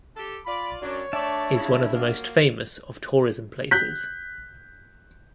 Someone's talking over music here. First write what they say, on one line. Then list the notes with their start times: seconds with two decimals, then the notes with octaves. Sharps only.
Is one of the most famous of tourism places.
0.16 D4 G4 A4
0.46 F4 D5 B5
0.82 F#2 D4 C#5
1.13 A3 D4 D5 E5 A5
1.54 C#3 E4
1.93 F3 F#3 A#3
3.71 F#6 G6 B6